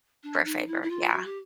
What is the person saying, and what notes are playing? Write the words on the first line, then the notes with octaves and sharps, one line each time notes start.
For a favor, yeah.
D4
D#4
E4
E4
F4
F#4
G4